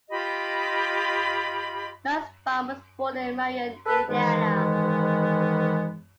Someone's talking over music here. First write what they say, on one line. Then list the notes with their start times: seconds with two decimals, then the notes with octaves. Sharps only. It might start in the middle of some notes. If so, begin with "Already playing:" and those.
Nussbaum was born in Marion, Indiana.
0.10 F4 G4 D#5 B5
3.86 A4 B4
4.08 G#2 D#3 E3 G#3 B3